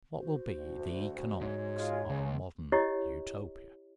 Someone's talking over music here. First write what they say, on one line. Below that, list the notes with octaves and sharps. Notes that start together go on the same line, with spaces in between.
What will be the economics of a modern Utopia?
F#4 C5
D2
G#2 C#5
G#3 F4
C#2 C#3
E4 G4 C#5 D#5